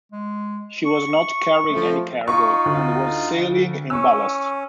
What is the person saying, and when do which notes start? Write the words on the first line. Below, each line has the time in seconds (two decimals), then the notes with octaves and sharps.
She was not carrying any cargo, and was sailing in ballast.
0.12 G#3
0.85 C#6
1.72 F3 A3
2.28 D#4 F4 C#6
2.66 D2
3.90 C#4 C#6 E6